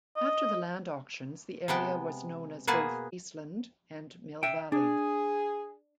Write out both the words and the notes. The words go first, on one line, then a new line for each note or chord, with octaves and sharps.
After the land auctions the area was known as both "Eastland" and "Mill Valley".
D#5
C3 G#3 B3 G5 A5
B2 A#3 B3 G#4 B4 A5
E5 G5
D4 G#4